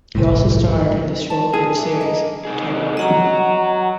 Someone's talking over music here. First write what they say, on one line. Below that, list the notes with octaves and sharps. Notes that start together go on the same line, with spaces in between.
He also starred in the short-lived series Tightrope!
G1 C2 A2
A5
G#4
E3 F#3
A#3 D#5
C3 D#4 G#4
F#3 D#5 F#5 A#5